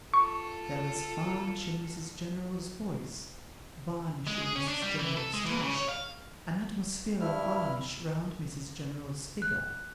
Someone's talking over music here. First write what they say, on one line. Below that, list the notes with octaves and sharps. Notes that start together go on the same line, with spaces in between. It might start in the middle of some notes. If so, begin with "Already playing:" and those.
There was varnish in Mrs General's voice, varnish in Mrs General's touch, an atmosphere of varnish round Mrs General's figure.
F4 A4 C#6
G#3
G#4
C#4
D4
G3
E3
A4
G#3
E3
C#3
C#5
F5
G2 E4 F6
F#6